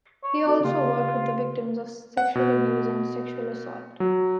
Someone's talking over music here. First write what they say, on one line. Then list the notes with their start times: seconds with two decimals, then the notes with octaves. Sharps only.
He also worked with the victims of sexual abuse and sexual assault.
0.24 C#5
0.46 C4 F#4 A4 D5
0.64 C#3 A#3 F4 G4
2.17 F#5
2.35 B2
4.00 F#3